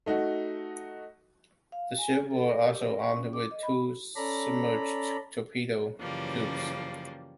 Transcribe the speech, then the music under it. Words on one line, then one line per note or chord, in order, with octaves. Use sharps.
The ships were also armed with two submerged torpedo tubes.
A3 D#4 F#4
F5
G#5
A4
A#4
G4
A#4
C#6
C#4
D6
D#5
B5
C#4 A4 D5 A#5 B5
F#2 C#3 E3 F3 G3 A#3